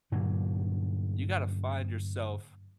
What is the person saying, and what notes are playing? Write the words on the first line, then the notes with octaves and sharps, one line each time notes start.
You gotta find yourself
G2 A#2 D3 F#3